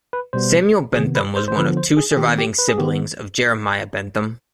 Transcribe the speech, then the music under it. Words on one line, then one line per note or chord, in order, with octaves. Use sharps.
Samuel Bentham was one of two surviving siblings of Jeremiah Bentham.
B4
B2 G3 B3 C5
C3 D#3 B3 G#4
B4
C5
C5
D3 F3 B3 B4
C5
G#4
G#4
D#3 B3 G4
G4
B4
G#4
D#3 B3 G4